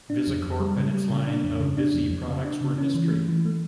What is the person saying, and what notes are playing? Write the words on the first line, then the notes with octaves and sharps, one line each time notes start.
VisiCorp, and its line of "VisiProducts", were history.
D4
F2
F2
G3
C#3
G3
C#3
D4
F2
C#3
D4
F2
F2
C#3
D4
C#3
C#4
E3
A3
E3
A3